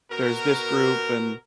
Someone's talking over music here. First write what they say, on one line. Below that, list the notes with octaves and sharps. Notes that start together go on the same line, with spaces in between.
"There's this group and"
B2 F#4 A#4